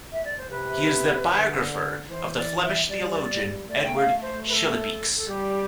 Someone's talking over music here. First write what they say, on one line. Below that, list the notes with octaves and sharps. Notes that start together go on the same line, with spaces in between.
He is the biographer of the Flemish theologian Edward Schillebeeckx.
E5
D5
C5
C3 B4
D3
E3 C5
D5
E5
G3 D5
G3
A3 D5
G5
F5
C5
B4
A4
A4
G3 G4